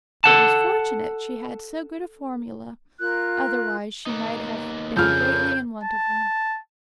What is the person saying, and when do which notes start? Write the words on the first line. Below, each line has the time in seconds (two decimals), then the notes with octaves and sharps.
It was fortunate she had so good a formula; otherwise she might have been greatly in want of one.
0.24 A4 F#5 A5
2.99 F4 A#4 F#6
4.06 A#3 B3 D#4
4.97 F2 C#3 A4 A#4 C#5 F6 G6
5.83 A5